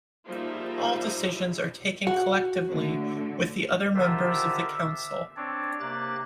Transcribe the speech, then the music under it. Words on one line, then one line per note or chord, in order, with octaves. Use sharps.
All decisions are taken collectively with the other members of the Council.
F3 G3 A#3 D#4 G#4 E5
F#4 F#5
A2 D3 A3
D3 D#3 F4 G4 C5 E5
E5
C4 D4 C#5 D5
C3 A#3 G4 F#6 A6